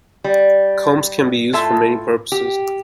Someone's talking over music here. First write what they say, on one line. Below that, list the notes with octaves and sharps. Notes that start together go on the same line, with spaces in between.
Combs can be used for many purposes.
G3
A2 F4 A4 E5 A5
G4